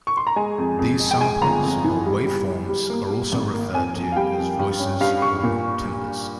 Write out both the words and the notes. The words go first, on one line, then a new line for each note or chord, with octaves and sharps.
These samples or waveforms are also referred to as voices or timbres.
C#6
C6
A#5
G#3 G#5
F2
F2
G#3
G5
G#3 G#5
G1 A#5
F2
E3
G3
G3
G3
G3
A#3
G3
G#1
A#3
F2 G#5
F2
F5
G3 G5
F2
G2
C#4
G2 F5
G2 C#6
A#2